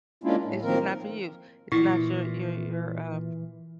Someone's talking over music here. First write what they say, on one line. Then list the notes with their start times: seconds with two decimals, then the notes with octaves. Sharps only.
It's just not for you. It's not your your your, uh
0.24 G#3 A#3 C#4 D4 E4 F4
0.44 A2
0.63 D#3 F3 A#3 C4 A#4
1.72 A#2 E3 E4